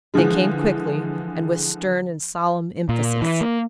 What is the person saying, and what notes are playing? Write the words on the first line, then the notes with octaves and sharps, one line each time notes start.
They came quickly and with stern and solemn emphasis.
D3 E3 F3 G#3
A#2
E3
A#3